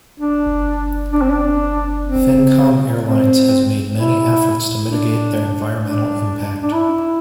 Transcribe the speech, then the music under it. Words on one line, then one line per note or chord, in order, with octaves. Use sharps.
Finncomm Airlines has made many efforts to mitigate their environmental impact.
D4
D4
C4
D4
C4
C4
E4
D4
D4
D4
E4